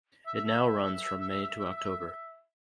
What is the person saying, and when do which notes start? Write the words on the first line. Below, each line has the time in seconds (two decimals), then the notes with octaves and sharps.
It now runs from May to October.
0.26 E5 E6